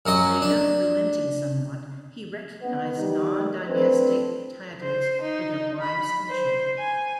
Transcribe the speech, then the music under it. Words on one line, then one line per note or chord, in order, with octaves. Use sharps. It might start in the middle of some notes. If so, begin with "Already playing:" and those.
Later, relenting somewhat, he recognised non-dynastic titles for their wives and children.
F#2 F#3 D#5
D4
B3
D#3 G3 D#4
A3 C4 D4 A4 B4 C5
C5
D#4
B5
C5
G#5